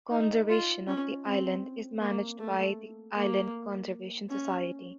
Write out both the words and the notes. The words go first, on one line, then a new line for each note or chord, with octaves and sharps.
Conservation of the island is managed by the Island Conservation Society.
D#4
F4
C#4
C4
A#3
A3
A#3
C#4